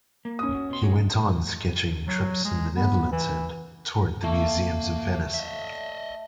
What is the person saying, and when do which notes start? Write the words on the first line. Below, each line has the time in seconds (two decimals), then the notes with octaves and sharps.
He went on sketching trips in the Netherlands and toured the museums of Venice.
0.25 A#3
0.39 C#4 D#6
0.55 F#4
0.70 B2 C6
0.82 F#4 G#4 C#5
2.07 F#3
2.45 G#3
2.76 B3
3.12 E3
4.24 A3 A#3
5.34 D#5 E5